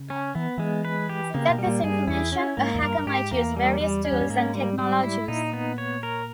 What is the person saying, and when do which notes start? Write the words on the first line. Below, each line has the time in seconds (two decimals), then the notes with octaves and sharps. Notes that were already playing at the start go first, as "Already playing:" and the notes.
To get this information, a hacker might use various tools and technologies.
Already playing: C#3
0.10 C#4
0.35 E3 B3
0.58 E3 G#3
0.85 B4
1.09 G4
1.34 C#3 A#3
1.50 B2
1.58 G3
1.67 A#2
1.84 G2 G#4
2.08 E2 E4
2.32 C#4
2.57 G#2 A#3
2.75 E2
2.83 G2 A#4
2.99 G2
3.06 G#2 G4
3.31 E2 A#3
3.57 G3
3.81 G3
4.05 C#4
4.12 E2
4.21 G2
4.30 G#2 A#3
4.55 G3
4.79 G3
5.03 E4
5.28 A#2 D#4
5.53 B3
5.78 C#5
6.03 A#4